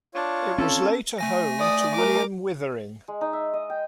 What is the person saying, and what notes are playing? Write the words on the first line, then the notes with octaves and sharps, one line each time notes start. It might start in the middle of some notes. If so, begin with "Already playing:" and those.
It was later home to William Withering.
D4 F4 C#5
C4 C#4 A4
A3 G#5 A#6
D5 D#6
A#4 D6
G#3
D#4
E5
D#5
G5